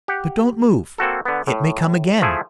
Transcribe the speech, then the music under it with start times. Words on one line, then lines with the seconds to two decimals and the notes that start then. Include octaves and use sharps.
But don't move; it may come again.'
0.08 G4 F#5
0.98 A#3 C4 F#4 A4
1.25 D3 B3
1.47 A2
2.22 F3 A3 E4 G#4 E5